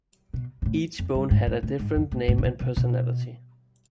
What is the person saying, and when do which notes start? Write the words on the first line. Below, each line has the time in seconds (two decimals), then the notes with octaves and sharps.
Each bone had a different name and personality.
0.34 B2
0.62 G#2
0.66 A2
0.99 F2
1.15 G2
1.31 G#2
1.47 A2
1.63 A2
1.79 G#2
1.96 F2
2.12 A2
2.28 A2
2.38 B2
2.44 A#2
2.60 B2
2.77 B2